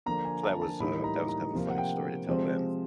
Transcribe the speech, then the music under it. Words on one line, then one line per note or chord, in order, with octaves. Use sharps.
So that was, uh, that was kind of a funny story to tell them.
D3 F3 A#3 D4 A#5
G#5
A5
A5
A2 E3 G3 A#3 D#4 B5
A#5
A#5
C3 F3 A#3
F#5
G5
C3 F3 G#3 C4